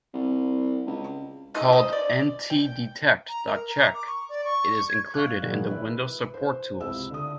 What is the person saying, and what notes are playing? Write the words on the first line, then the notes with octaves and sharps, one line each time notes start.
Called ntdetect.chk, it is included in the Windows Support Tools.
C2
C#2
G#3 A3 D#4 F4
D#4 C5 D#5
D5
G5
A#5
A#4
A#5
D6
C#6
D5
C#6
G#6
F5 C#6 F6 F#6
A#2 D#3 E3 F#3 F#4 G#4
E4 B4
C5
C#2 C3 E4 E6
D3 D#6